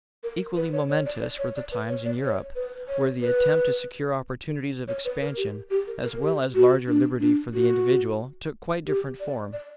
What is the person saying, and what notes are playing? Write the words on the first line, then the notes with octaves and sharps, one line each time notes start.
Equally momentous were the times in Europe, where the attempt to secure opportunities of expansion as well as larger liberty for the individual took quite different form.
A#4
B4
C#5
C#5
D5
D5
C#5
D5
B4
C#5
D5
C#5
B4
C#5
B4
C#5
B4
A#4
G4
G4
A#4
A#4
G4
F#4
D4
D4
F#4
G4
D5
D5